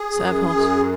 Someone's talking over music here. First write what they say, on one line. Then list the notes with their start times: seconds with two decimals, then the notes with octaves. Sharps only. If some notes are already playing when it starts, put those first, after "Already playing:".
Serve hot.
Already playing: G#4
0.13 F#2
0.51 F#2